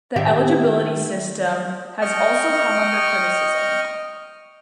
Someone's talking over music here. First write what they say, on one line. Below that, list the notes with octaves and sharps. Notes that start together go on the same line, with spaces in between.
The eligibility system has also come under criticism.
D#3 G4 E5
D#5 G5 C#6 F6